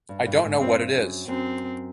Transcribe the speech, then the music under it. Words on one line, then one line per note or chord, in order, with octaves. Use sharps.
I don’t know what it is.
G2
G2
G#2
G2 C4
F#2
F#2 C4